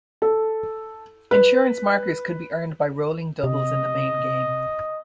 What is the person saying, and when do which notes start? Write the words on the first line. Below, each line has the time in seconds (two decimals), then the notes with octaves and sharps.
Insurance markers could be earned by rolling doubles in the main game.
0.22 A4
1.31 B4
3.44 C3 D#5